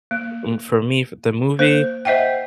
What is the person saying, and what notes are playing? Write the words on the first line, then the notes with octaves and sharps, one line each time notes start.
m for me f the movie,
A#3
A#3 C5
C5 D#5 E5 F#5 G5